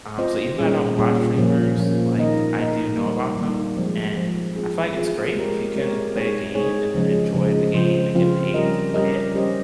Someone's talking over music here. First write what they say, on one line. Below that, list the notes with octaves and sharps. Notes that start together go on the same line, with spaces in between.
Um, so even though I don't watch streamers, like, I do know about them, and I feel like it's great if you can play a game and then enjoy the game and get paid to play it,
C4 F4 C5 D#5
A#2 G3 C#4 G#4
A#2 G3 C#4 G#4
A#2 F3 A#3 C#4
A#2 F3 A#3 C#4
D#3 A#3 D#4 A#4 D#5
D#3 A#3 D#4 A#4 D#5
D#3 G3 A#3
D#3 G3 A#3
F3 G#3 C4
F3 G#3 C4
C4 F4 G#4
C4 F4 G#4
G#3 C4 G4 A#4 C#5
G#3 C4 G4 A#4 C#5
G#3 C4 D#4 G#4 C#5
G#3 C4 D#4 G#4 C#5
C#3 F3 G#3 C#4
C#3 F3 G#3 C#4
C#3 F3 C4 F4 C5
C#3 F3 C4 F4 C5
G3 C#4 G4 A#4 D#5
G3 C#4 G4 A#4 D#5
G3 C#4 G4 C5 D#5